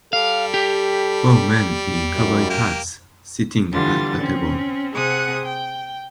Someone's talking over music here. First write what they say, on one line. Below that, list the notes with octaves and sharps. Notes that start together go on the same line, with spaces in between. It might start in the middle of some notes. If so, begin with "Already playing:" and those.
Four men in cowboy hats sitting at a table.
G3 A4 F5
G4
F#2
A#3 G4
D3 E3 G3 F4 A6
C4 C#4
C3 G#4 F#5 D#6
G5